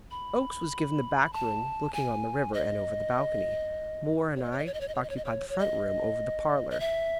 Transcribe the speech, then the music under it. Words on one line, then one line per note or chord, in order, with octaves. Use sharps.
Oakes was given the back room looking on the river, and over the balcony; Moore and I occupied the front room, over the parlor.
B5
A5
G#5
D#5
C#5
D#5
C#5
D#5
C#5
D#5
C#5
D#5
C#5
D#5
C#5
D#5
C#5
C#5
D#5
D#5
E5